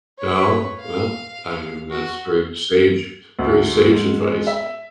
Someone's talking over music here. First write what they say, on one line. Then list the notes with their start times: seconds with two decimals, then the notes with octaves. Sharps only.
Oh, well, I mean that's very staged very sage advice.
0.18 B4 C#5
0.79 F5
1.90 F#4
3.39 D2
3.91 G#2
4.22 G#3
4.47 E5